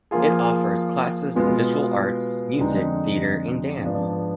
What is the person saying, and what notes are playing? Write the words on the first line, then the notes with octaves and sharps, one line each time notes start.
It offers classes in visual arts, music, theater and dance.
F3 A#3 F4 G#4
B2 G#3 B3 F4 B4
F2 D3 G#3 D#4
G#2 F3 B3 D4